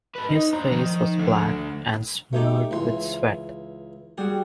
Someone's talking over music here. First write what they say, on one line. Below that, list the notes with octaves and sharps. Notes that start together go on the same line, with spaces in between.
His face was black, and smeared with sweat.
A4 B4
D#4
D4 C5 A#5
D#3 F3
D2 D3
A3 D#4 G4
C#2 E3 C6
G3 F#4 G#4